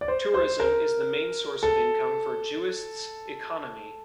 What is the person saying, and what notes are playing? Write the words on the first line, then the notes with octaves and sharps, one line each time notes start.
Tourism is the main source of income for Juist's economy.
D5
C5
C5
A#4
A4